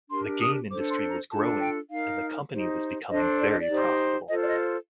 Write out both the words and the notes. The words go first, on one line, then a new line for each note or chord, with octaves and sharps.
The game industry was growing, and the company was becoming very profitable.
D4 G4 A#4 C6
D#6
D4 A4 C5 D6
C6
A#5
D4 F4 A4 A5
G5
D#4 A#4 F5
D#4 G4 C5
D4 A4 C5 D#5
D5
D#5
D5
D#4 G4 C5
F4 A4 C5 D#5
D5
D#5